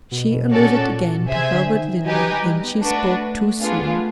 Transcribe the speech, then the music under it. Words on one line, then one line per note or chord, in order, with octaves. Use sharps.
She alluded again to Herbert Linley, and she spoke too soon.
B2
B2
A#2 C#4 F#4 A4 D5
B2
C3 G#4 C5 E5 G#5
D3
D#3
F#3 D#4 G4 B4 D#5 G#5
G3
B3
A3 D4 F#4 B4
B3 D4 F4 G#4